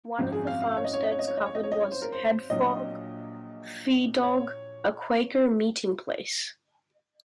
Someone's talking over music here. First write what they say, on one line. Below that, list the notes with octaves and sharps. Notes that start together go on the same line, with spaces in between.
One of the farmsteads covered was Hafod Fadog, a Quaker meeting place.
G#1 F#2 F3 C4
G#4
F5
F5
C#5
D#5
C#5
D#5
C#5
D#5
C#5
D#5
C#5
D#5
C#5
D#5
C#5
C5
A#4
C5
A#1 A#2 F#3 D#5
C#5